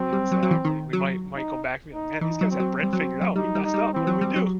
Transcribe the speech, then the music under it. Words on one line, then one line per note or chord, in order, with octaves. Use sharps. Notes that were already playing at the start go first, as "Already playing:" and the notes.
Exactly, we might might go back and be, like, man, these guys had bread figured out. We messed up. What do we do?
Already playing: F#3 C4
G3
F#3
F#3
E3
D#3
F#3
D#4
D#4
E3 D#4
F#3
C4
F#3
G3 C4
F#3
F#3
G3 D#4
G3
D#4
G3
E3 C4
F#3
G3
F#3